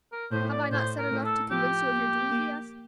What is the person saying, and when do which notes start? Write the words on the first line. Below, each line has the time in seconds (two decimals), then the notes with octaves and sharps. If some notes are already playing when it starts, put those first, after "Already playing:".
"Have I not said enough to convince you of your duty?" he asked.
0.12 A#4
0.31 A2 C5
0.51 D5
0.71 A2 C5
0.98 A#4
1.11 A2
1.24 A4
1.51 F3 G4
1.91 A#3
2.30 A#3